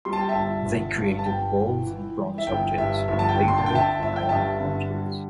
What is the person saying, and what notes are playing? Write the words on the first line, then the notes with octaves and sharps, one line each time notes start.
They created both bronze objects and later iron objects.
G3 C6
A5
G5
E5 A5
G1
G1
G2
A5
G1 G5
E3
E3
E3
E5
G1 G5
G2 E5
G1 E5
A5
G5
D3
C6
A5
D3 G5
E5 A5
G1 E5
G5
G2 E5 A5
D3
G3